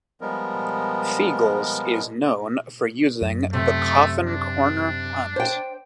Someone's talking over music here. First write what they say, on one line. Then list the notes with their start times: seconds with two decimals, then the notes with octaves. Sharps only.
Feagles is known for using the "coffin corner" punt.
0.21 F3 G3 G#3 B3 A#4
3.22 F#2
3.53 C3 A3
4.27 D4
5.36 C5 G5